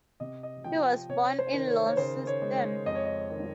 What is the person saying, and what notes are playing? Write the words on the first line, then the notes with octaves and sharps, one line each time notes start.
He was born in Launceston.
C3 D#5
D#5
F3 G5
C3 C#5
C5
D#3
C#5
C#5
C#3 C5
C#5
G#3
C#5
F2 D#5
C#5
D#5
D#3